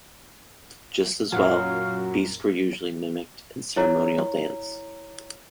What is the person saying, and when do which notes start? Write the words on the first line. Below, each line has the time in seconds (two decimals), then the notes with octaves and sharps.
Just as well, beasts were usually mimicked in ceremonial dance.
1.32 F#2 A#2 F#3 F5
3.76 E4 C#5 A#5